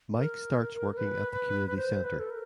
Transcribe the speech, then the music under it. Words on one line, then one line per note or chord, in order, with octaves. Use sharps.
Mike starts working at the community centre.
A#4
B4
C5
B4
A4
A#4